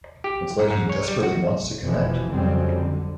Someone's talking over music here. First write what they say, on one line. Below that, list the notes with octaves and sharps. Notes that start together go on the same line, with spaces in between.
It's like he desperately wants to connect.
G4
G#2
G#2
C#5
G3
F#4
F1 B2 E3 F3
F2 C#3 F#3 G3 C4
D3